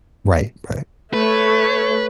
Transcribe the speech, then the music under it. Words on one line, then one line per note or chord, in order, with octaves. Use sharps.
Right, right.
A3 B4 C#5